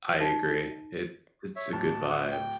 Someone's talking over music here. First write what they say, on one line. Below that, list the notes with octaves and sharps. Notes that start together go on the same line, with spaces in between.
I agree. It it's a good vibe.
D#4
C#5 E5
D1 A5
F#5
G5